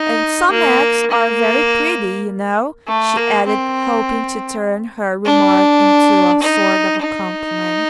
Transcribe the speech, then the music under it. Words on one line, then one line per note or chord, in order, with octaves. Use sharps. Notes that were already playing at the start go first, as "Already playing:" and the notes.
'And some eggs are very pretty, you know' she added, hoping to turn her remark into a sort of a compliment.
Already playing: D#4
A#3
A#3
A3
A#3
C4
D4
D#4
D#4